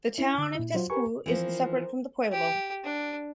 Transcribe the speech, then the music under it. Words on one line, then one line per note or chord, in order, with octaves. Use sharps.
The town of Tesuque is separate from the pueblo.
C#4 E4
D3 E6
A#2 E4
F#3 F4 F#4 C5
G4 A#4 B4 G#5 C#6
E3 F3 C4 A#4 C5
G4
D4